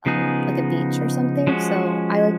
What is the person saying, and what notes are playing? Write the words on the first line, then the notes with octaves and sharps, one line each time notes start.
have um, like, a beach or something, so I like
C#3 F3 B3 D#4 G#4
F3 G#3 C#4 F#4